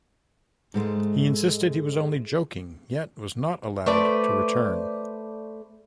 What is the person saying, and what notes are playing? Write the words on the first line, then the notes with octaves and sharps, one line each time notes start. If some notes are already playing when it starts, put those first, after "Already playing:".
He insisted he was only joking yet was not allowed to return.
G#2 G#3 A3
A3 B4 C5 D5